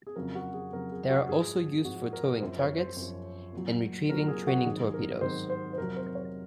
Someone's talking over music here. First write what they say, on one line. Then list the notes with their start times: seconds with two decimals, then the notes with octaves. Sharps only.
They are also used for towing targets and retrieving training torpedoes.
0.07 G#4
0.16 F2 C#3 F#3 A#4
0.35 F#4
0.54 G#4
0.72 F2 C#3 F#3 A#4
0.91 G#4
1.10 F#4
1.28 G#2 F3 G#4
1.84 G#2 F3 F#4
2.13 A#4
2.40 F#2 F3 C5
2.59 C#5
2.78 C5
2.97 F#2 F3
3.53 A#2 F#3
4.09 A#2 F#3 A#4
4.28 G#4
4.47 F#4
4.65 G#2 D#3 F#3 G#4
4.94 A#4
5.21 G#2 D#3 F#3 C5
5.50 C5
5.73 C5
5.77 F2 C3 F#3 A#4
5.96 C5
6.15 C#5